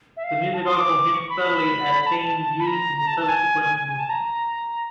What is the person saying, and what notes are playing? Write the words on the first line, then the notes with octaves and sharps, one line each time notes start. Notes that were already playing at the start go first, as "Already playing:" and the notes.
The music also hints subtly at themes used in the subsequent movements.
E5
F5
A5
C6
D6
C#6
B5
A5
B5
A#5
A#5
A5
A5
G#5
G#5
A5
A#5